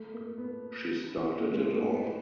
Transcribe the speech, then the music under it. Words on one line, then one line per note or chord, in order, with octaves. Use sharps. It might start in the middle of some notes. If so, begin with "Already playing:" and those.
She started it all.
Already playing: A3
A#3
B3
A#3
G#3
A3
A#3
B3